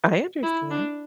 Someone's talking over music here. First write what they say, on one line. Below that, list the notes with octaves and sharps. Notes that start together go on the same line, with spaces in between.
I understand.
E4
D4